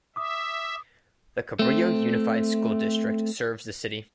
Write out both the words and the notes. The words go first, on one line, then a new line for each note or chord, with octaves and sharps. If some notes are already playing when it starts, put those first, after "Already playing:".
The Cabrillo Unified School District serves the city.
E5 D6 D#6
A3 C4